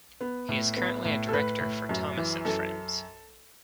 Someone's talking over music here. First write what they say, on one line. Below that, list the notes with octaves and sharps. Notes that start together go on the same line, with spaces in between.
He is currently a director for "Thomas and Friends".
B3
A2
B3
A2
A4
A2 B4
A2
F#2
E3
F#2 A4